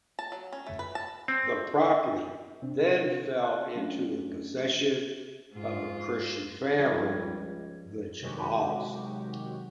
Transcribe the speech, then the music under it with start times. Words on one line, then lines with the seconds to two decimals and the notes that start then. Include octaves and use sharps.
The property then fell into the possession of a Christian family, the Jamals.
0.19 A5
0.32 F#3
0.52 C#4
0.67 A3
0.79 B4
0.95 A5
1.28 C4
2.62 C3 C4 D4
3.43 F5 A5 F#6
3.75 F#3 A3 C#4 D4 G4
5.54 G#2 F4
6.79 C#2 F3 G3 G#6
8.21 C3 D#3 F#3 G#3 F#4 G4